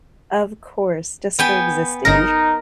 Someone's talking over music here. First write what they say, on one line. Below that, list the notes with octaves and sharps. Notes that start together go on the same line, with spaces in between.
Of course, just for existing.
B3 G5 G#5
G1 D#4 A#4 A#6